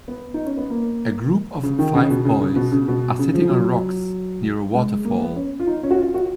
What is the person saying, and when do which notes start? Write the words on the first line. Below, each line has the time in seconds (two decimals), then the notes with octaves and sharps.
A group of five boys are sitting on rocks near a waterfall.
0.08 B3
0.34 D#4
0.46 C#4
0.57 B3
0.70 A#3
1.63 C#3
1.79 D#3
1.95 C#3
2.10 B2
2.25 C#3
2.41 C#3
2.56 B2
2.72 C#3
2.88 B2
3.19 C#3
3.34 F3
3.49 F#3
4.74 G#3
5.05 A#3
5.21 B3
5.36 C#4
5.60 F4
5.67 D#4
5.83 C#4
5.91 F#4
5.98 F4
6.14 F#4